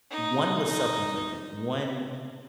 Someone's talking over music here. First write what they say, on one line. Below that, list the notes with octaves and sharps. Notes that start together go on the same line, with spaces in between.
one was self-inflicted. One,
D#4
D#4